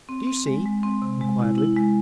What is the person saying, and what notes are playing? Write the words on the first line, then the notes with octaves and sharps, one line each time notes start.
Do you see?' inquired Luke.
C4
C4
G#3
G#3
C4
C3
G#3
E4
E4
G#3